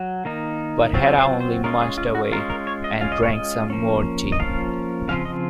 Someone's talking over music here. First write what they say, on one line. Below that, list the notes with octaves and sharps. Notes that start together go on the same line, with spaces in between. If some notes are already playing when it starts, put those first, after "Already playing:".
But Hatta only munched away, and drank some more tea.
Already playing: F#3
D#3 A#3 D#4
F#3 C4 F4
C5
C5
G#3 C#4 F4 A#4
G#4
F4
F#4
G#3 C#4 F4 A#4
A#4
C#5
D#5
G#3 C#4 F4 F5
D#5
C#5
D#5
F3 A#3 C#4
D#5
F3 A#3 C#4 F4 F5
C#3 F3 C4 F4 F5
D#5